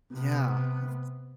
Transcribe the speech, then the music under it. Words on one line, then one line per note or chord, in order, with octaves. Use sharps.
Yeah, it's
C3 B3